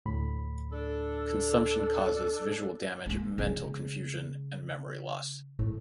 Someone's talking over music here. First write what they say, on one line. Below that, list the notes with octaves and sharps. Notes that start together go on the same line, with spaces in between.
Consumption causes visual damage, mental confusion, and memory loss.
D2 A2 B5
D4 A4
G#3 A#3
C#3 G#3
G#1 A2